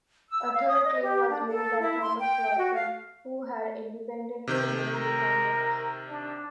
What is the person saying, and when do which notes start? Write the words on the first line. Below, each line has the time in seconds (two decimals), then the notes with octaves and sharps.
A third claim was made by Thomas Clausen, who had independently linked the comets.
0.30 E6
0.54 F5
0.68 D#6
0.84 D#5
1.02 G4
1.29 D4
1.47 A4
1.80 E4
2.02 C6
2.19 G5
2.57 F#4
2.74 F5
4.47 C3 D#3 G6
4.92 A#4
6.09 D4